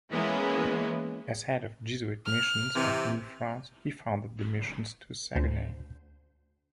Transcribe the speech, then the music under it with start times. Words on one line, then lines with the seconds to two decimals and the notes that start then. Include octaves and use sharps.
As head of Jesuit missions of New France, he founded the missions to Saguenay.
0.11 E3 G#3 A#3 B3 C#4
2.26 F6
2.76 C3 E3
5.36 D2 C5